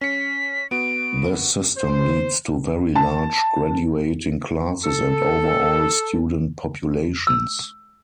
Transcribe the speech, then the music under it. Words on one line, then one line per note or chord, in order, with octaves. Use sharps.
This system leads to very large graduating classes and overall student populations.
C#4 B6 C#7
B3 F#4 D7
C5
A5
A4
E6